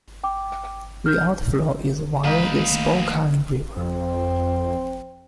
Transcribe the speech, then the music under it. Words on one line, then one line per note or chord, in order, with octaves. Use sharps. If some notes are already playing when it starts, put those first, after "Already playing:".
The outflow is via the Spokane River.
G5 D6
F6 G6
D#2 D3 E3 G#3 A#3 D#4 B4
D#3 A3
F2 C4